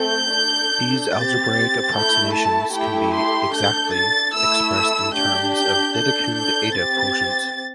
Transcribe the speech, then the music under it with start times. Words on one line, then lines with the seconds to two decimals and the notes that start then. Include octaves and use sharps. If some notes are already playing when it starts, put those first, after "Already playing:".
These algebraic approximations can be "exactly" expressed in terms of Dedekind eta quotients.
Already playing: A3 C4 A4 G6
0.34 D4 A4
1.13 C4 G4 A6
1.94 A3 E4 A4 G6
2.34 A5
2.74 A3 E4 G4 G5
3.14 C6
3.54 D4 A4 G6
3.94 A6
4.34 A3 E4 A4 E6
4.74 E6
5.14 D4 G4 G6
5.55 G6
5.94 D4 A4 G6
6.34 G6
6.74 C4 G4 A6